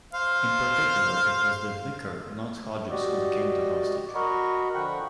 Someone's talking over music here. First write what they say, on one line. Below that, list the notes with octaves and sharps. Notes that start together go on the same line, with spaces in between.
In particular, it was The Vicar, not Hodges, who became the hostage.
C5 F5
F#4 G4 D5 D#5
F#4 A#4 D#5 A#5 B5 C#6
D3 F3 F#5 G5 B5 C#6